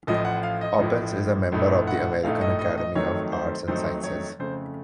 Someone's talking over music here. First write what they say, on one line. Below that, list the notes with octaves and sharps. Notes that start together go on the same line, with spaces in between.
Oppens is a member of the American Academy of Arts and Sciences.
A1 A2 F3 D#5
F#5
F5
D#5
A1 A2 F3
A#1 A2 A3 D#4
F#5
A#1 A2 A3 D#4 F5
D#5
D#5
D#5
F2 D#3 F#3 A3 D#4 C#5
C5
F2 D#3 F#3 A3 D#4 C5
C#5
F2 C#3 A3 C5